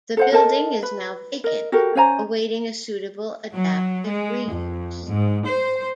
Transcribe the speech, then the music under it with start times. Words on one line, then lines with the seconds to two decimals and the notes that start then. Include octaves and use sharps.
The building is now vacant awaiting a suitable adaptive re-use.
0.17 A4 C5 F#5
0.32 A4 A#4 D#5 A5
0.83 B4
1.44 A#4 D#5
1.72 F#4 G4 A4 A#4
1.95 C#4 C5 G#5 A#5
3.53 F#3
4.07 G#3
4.50 F2
5.07 G#2
5.46 C5